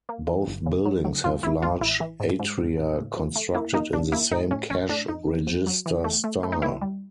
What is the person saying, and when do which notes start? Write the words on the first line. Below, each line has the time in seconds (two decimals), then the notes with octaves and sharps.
Both buildings have large atria constructed in the same cash register style.
0.09 A#3
0.27 E3
0.47 G1
0.66 C#3
0.85 F#3
1.05 F#3
1.24 G2 F4
1.43 A1 E4
1.62 A1 F4
1.81 A1 E4
2.00 E3
2.20 G#2
2.40 G#2
2.58 G#2
2.78 A1
2.97 A2
3.16 F3
3.36 A3
3.54 A#3 E4
3.74 A#3 D#4
3.93 B1 D4
4.12 A#3 E4
4.31 A2 D#4
4.51 A2 C#4
4.70 A#1 C#4
4.89 A2 D4
5.08 F2 D#4
5.28 F2
5.47 F2
5.67 F#3
5.86 E3
6.04 A3
6.24 A3
6.43 A3
6.52 D#4
6.62 D#2 E4
6.81 G3